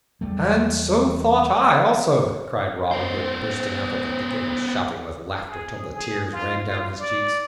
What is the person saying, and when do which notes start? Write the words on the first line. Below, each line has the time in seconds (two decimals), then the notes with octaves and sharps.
"And so thought I, also," cried Robin Hood, bursting out of the thicket and shouting with laughter till the tears ran down his cheeks.
0.21 E2 G3 A3
2.91 B3 C5
5.48 G#4
5.94 G#4
6.32 F4
6.67 F4
6.99 D5